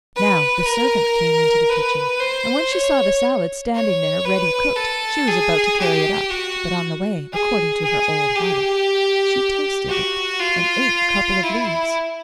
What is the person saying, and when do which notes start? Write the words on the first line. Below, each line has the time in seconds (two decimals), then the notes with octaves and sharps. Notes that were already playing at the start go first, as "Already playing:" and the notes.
Now the servant came into the kitchen, and when she saw the salad standing there ready cooked she was about to carry it up, but on the way, according to her old habit, she tasted it and ate a couple of leaves.
0.16 B4
0.66 A#4
1.70 B4
2.20 C5
2.71 C#5
3.74 C#5
4.25 B4
4.76 A4
5.27 G#4
5.79 G4
6.30 F#4
7.33 G#4
7.84 G#4
8.35 G4
9.89 F#4
10.40 F4
11.43 E4